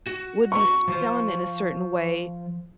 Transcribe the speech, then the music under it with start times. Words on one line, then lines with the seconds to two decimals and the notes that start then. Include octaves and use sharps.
would be spun in a certain way
0.06 F#4
0.52 C#6
0.88 F3 F4 C5